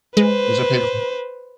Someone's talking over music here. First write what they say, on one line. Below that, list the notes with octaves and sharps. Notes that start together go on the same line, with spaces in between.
Or is it pay-per-view?
G#3 B4 C5